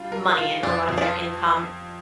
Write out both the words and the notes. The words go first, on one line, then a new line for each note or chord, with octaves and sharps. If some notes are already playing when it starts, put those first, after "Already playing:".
money and a lot of their income.
Already playing: G3 D4 F4
A#4
F4
F2 D4
F2
D4
F4